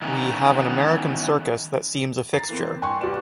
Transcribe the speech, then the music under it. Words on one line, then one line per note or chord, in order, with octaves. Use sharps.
We have an American circus that seems a fixture.
D#3 E3 B3 C#4 D#4 A#5
A#5 A6 C7
E3 A#3 C4
G2 G5 G#5 C6 C#6 F#6
C2 G4 B4 D5 E7